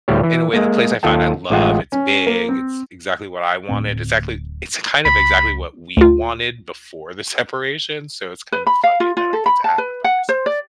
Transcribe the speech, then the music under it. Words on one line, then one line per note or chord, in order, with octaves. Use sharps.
in a way, the place I find I love, it's big, it's exactly what I wanted, exactly It's kind of exactly what we wanted before the separation, so it's kind of funny that I get to have it by myself.
D2 A2 G3 G4 C#5
E3
G#3 A#3
D#2 F4 A4 G5 A5
A1 G#3 F4 F#5 G5
C#4
A#3
C4
D1 A2 C4
C#2 B5
D2 F4
B4
B5
F5
F4
F4
A4
B5
A5
B4
F#5
C5
D5